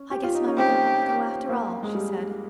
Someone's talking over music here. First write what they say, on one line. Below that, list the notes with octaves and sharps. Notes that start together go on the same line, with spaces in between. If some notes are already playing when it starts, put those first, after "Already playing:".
"I guess my mother won't go, after all," she said.
Already playing: C#4
G4
F4
D#4
C#4
C4 G4
A#3
G#3
G3